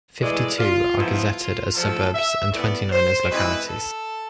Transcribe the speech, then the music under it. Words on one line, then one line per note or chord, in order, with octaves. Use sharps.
Fifty-two are gazetted as suburbs and twenty-nine as localities.
A2 E3 G#3 D5
F4
G#2 F3 B3 E4 F4
D3 F3 A3 A4
E5
A2 E3 B3 D5
C5
B2 G#3 C4 E4 B4
A4